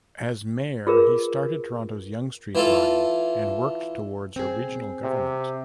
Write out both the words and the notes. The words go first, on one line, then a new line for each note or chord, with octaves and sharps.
As mayor he started Toronto's Yonge Street line and worked towards a regional government.
F4 G#4 A#4 B4
E3 F4 A4
C4 G#4
C3